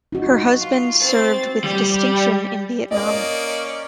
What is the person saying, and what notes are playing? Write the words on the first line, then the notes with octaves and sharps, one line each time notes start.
Her husband served with distinction in Vietnam.
D#4 F#4
F4
C4 A6
G3
A#3 C#4 D5 D#5